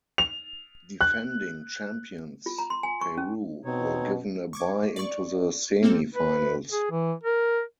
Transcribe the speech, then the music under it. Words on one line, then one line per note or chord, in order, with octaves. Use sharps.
Defending champions Peru were given a bye into the semi-finals.
F7
F#6
F4
A#5
C6
G#5
C#6
C#4
B2 C4 D#4 C#5
C#6 D6 G#6
D5 C#6
A#3 C4 A4
B4
G#4
E3
A#4